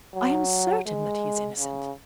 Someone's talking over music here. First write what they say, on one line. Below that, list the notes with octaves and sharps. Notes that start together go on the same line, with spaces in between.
I am certain that he is innocent.'
F#3
G#3
C#3